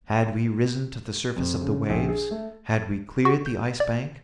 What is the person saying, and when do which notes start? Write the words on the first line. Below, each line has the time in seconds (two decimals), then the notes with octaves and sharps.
Had we risen to the surface of the waves? Had we cleared the Ice Bank?
1.36 F2
1.61 C#3
1.89 A#1
2.08 G#4
2.31 A3
3.25 F#4
3.46 G6
3.80 D5